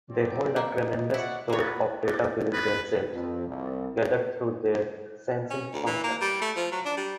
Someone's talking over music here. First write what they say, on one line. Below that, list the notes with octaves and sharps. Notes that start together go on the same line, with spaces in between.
They hold a tremendous store of data within themselves, gathered through their Sensing function.
F#3 C4 D5
A#3 E4 D#5
E4 F#4 D5 F#5
A#3 F#4 B4 C#5
B4
F2
C2
C#4
D2
E3
A#3
G3
A3
F3
F#3
D4
G3